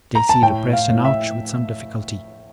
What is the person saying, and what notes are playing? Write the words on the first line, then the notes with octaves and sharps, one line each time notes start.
Stacy repressed an "ouch" with some difficulty.
A#5
A5
A2 G5
F5
A2
E5